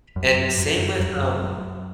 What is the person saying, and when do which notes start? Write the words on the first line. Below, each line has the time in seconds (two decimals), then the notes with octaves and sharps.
And same with, um,
0.16 F#2
0.58 F#2
1.00 F#2
1.43 F#2